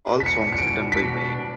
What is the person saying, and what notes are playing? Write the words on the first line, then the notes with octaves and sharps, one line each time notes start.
All songs written by Mae.
B2 B6
C#7
C#4
C#7
B2 D7
B2
B6
B2
D4